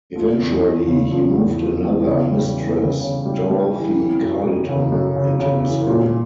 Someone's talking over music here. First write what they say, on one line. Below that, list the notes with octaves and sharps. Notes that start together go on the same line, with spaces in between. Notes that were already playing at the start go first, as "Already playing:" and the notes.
Eventually, he moved another mistress, Dorothy Carleton, into his home.
F3
E2
E2
C#3
F3
E2
F3
E2
C#3
G3
E3
C#3
C#3
G3
G3
E3
E3
F#2
F#2
C#3
F#2
C#3
C#3
E3
A#2